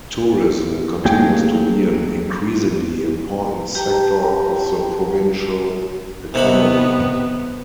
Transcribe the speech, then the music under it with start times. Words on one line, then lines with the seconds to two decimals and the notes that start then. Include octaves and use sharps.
Tourism continues to be an increasingly important sector of the provincial economy.
1.05 F#3 A3 A#3 G#4 G5
3.75 G4 B4 G5 A5 A#5
6.34 C3 D#3 B3 B5